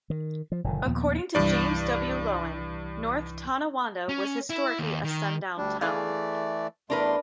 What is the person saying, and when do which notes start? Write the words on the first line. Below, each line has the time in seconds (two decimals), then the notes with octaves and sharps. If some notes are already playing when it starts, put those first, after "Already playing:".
According to James W. Loewen, North Tonawanda was historically a sundown town.
0.10 D#3
0.52 F3
0.64 F#1 A#2 D3 D#3
0.85 D#2 A#2 F3 B3
1.35 C2 G2 E3 E4 D5
4.09 C#4
4.50 E4
4.79 D#2
5.04 D#3
5.58 D2 G3 D4
5.81 E3 A3 G#4 D5 F5
6.90 E2 A3 D4 A#4 B4 C6